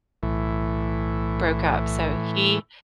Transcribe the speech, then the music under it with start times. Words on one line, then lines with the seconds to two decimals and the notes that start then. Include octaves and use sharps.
broke up, so, he
0.23 B1 A2 E3